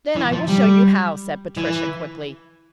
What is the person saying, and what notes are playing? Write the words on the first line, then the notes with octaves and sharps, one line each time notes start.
"Then I will show you how," said Patricia, quickly.
E3
F3
G3
E3